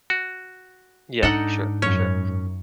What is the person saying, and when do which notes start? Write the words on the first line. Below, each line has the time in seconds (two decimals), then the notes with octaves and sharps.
Yeah, for sure, for sure.
0.10 F#4
1.23 G#2 D4 D#4 A4 D#5 F#5
1.82 F#2 C#4 C#5